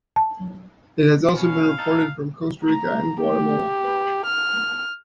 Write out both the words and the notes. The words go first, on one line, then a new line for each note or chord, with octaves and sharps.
It has also been reported from Costa Rica and Guatemala.
A5
B2 C#4 F5
D#4 A4
A#5
G4
F6